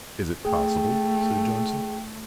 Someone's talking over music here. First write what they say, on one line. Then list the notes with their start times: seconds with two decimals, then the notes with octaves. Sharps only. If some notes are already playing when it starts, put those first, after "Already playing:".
"Is it possible?" said Johnson.
0.45 A3 G#4 G5